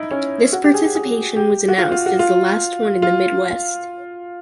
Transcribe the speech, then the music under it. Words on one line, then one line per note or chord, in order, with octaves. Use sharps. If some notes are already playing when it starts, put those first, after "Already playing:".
This participation was announced as the last one in the Midwest.
Already playing: D#4 E4
C#4
F#4
G4
G#4
G4
G#4
G4
F#4
F4
F4
F#4
F4
F4